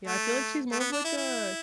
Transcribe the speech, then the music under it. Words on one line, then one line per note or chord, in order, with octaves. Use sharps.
Yeah, I feel, like, she's more of, like, a
A3
A3
B3
D4
E4
E4